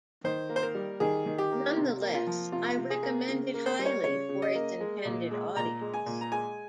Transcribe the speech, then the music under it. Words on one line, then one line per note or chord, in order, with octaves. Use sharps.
Nonetheless, I recommend it highly for its intended audience.
D#3 C5
A#3
C5
A#4
G3
D#3 G#4
D#3
G4
A#3
C3
A#3
F4
F3
C3 F4
C3
G#4
A#3
C#3
A#3
C5
G3
C#5
C#3 C#5
C#3
D#5
A#3
G#3
A#2
G#3
A#2 A#5
G#3
G#5
A#2
A#5
G#3 G#5